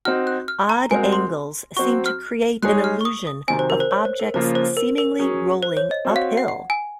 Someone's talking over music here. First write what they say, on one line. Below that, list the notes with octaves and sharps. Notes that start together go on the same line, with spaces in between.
Odd angles seem to create an illusion of objects seemingly rolling uphill.
C4 D#4 F#4 F6
F#6
F6
A#5
G#3 C4 F#4 A#4 G#5
C6
F#3 C4 F#4 C#6
F6
G#3 D#4 G#4 C#5 F#6
F6
C#6
D#6
D#6
C3 D#3 F#3 C4 G#5
C5
A#4
C5
C#5
C5
A#4
C#3 F3 A#3 F4 C5
C5
A#4
A#4
F#3 C#4 G#4
C5
C#5
D#5
C4 F#4 C#5
F5
F#5
F#5
G#5